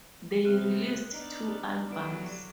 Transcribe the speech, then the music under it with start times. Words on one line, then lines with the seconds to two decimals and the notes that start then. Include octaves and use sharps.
They released two albums.
0.45 C3 B3 C4 F6 F#6
1.13 B3 D4 D#4 D5
1.89 D3 E3 F#3 G3 B3 D6 D7